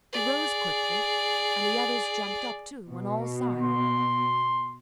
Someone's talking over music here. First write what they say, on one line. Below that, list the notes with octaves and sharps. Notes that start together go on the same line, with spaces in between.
He rose quickly, and the others jumped up, too, on all sides.
G#4 D5
B2
C6